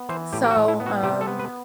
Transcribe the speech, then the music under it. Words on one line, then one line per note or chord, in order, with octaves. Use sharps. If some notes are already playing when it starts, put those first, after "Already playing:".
so, um,
Already playing: B3
E3 C5
A2 G4
G4
F#4
A2
E4
B3
F#4
C3 G4
A4
B3
B4